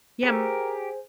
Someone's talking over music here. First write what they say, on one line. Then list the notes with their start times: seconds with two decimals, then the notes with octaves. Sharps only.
Yeah, m
0.23 G4 G#4 A#4 C5